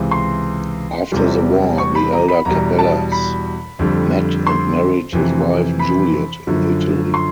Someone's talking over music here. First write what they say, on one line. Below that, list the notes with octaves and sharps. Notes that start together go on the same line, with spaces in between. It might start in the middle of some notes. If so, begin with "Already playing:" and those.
After the war, the elder Capellas met and married his wife, Juliet, in Italy.
Already playing: C#2 C3 E3
C6
E2 C3 E3 G3
C#6
B5
A#5
B5
E2 B2 G3 A#5
A5
B5
F2 D3 G3
C6
F2 C3 E3
B5
F#2 D3 F3
C6